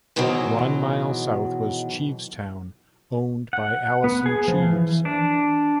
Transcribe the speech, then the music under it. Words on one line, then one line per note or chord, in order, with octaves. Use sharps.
One mile south was Chevestown, owned by Allison Cheeves.
G#2 B2 D#3 E3 F#3
F#5
B3
G#4
F3
E3
D4